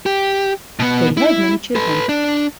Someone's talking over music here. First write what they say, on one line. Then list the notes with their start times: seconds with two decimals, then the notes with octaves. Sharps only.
They had many children.
0.06 G4
0.80 B2 B3
1.17 E4
1.75 A4 B4
2.09 D4